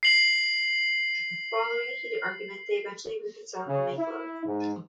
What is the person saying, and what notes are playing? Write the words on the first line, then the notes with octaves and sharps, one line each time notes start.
Following a heated argument, they eventually reconcile and make love.
C7 F#7
C#3
E4
G#2